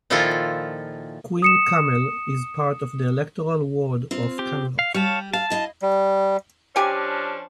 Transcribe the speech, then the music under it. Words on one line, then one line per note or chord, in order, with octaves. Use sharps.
Queen Camel is part of the electoral ward of Camelot.
A#2 D#3 F3 E4 F4 A4
D#6 C#7 E7
C4 F4
G4
F5
G3 C#5 F5 A5
F5 A5
E4 D#5 F5
G3
F3 C#4 D4 G4 G#5